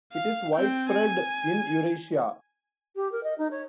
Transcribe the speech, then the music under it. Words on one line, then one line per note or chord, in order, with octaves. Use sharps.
It is widespread in Eurasia.
F5
C4 G5
G#5
G4
A#4
D#5
D#4
C#5